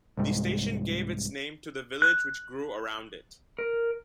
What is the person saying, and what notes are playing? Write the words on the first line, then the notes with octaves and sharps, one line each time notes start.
The station gave its name to the village which grew around it.
C2 G#2
F#6
A#4